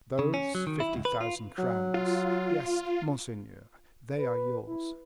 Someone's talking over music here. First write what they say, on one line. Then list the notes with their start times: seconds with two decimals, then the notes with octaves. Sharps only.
"Those fifty thousand crowns; yes, monseigneur, they are yours."
0.19 C#3
0.34 C#4
0.55 F#3
0.67 D#3
0.80 E4
0.94 C#2
1.05 B4
1.21 F4
1.58 F#3
1.94 F4
4.19 B4
4.67 E4